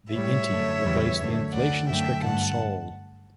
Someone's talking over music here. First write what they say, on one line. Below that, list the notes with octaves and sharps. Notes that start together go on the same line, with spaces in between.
The inti replaced the inflation-stricken sol.
A2 G3 C#5 E5
F#2 D3 A3
E2 C#3 E3 G3
F#2 D3 A3
D2 D3 A3 D5 F#5
F#2 D3 F#3 A3 E5 G5
G2 D3 A3 F#5 A5